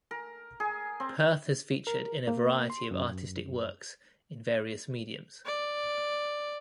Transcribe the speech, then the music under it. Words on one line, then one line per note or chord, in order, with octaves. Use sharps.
Perth has featured in a variety of artistic works in various mediums.
A#4
G#4
C4
A#4
A#3
C6
F#2
D5